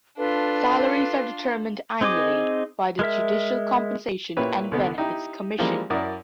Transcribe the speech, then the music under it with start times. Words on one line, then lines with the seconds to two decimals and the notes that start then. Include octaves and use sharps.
Salaries are determined annually by the Judicial Compensation and Benefits Commission.
0.17 D4 F4 A4 B4
2.01 C4 D#4 G#4 D#5 D6
2.99 G#3 A#4 E5
4.37 A#2 E4 G4 B4 C#5
4.71 C2 D3 B3
4.98 D#4 E4 G4
5.58 E3 F3 G3 G#3 A#3
5.90 F#2 E4 A#4 D5 D#6